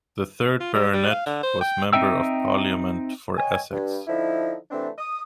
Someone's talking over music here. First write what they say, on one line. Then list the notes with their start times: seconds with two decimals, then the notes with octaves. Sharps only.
The third Baronet was Member of Parliament for Essex.
0.60 F4
0.74 G3
0.93 G3
1.11 F5
1.26 D3
1.43 C5
1.61 G5
1.93 C4 D#4 E5 G5 E6
3.37 C#5 D#5 G5 G#5
3.73 G2
4.07 D3 F3 D#4 E4
4.71 C3 E3 A3 C4 D4
4.98 D#6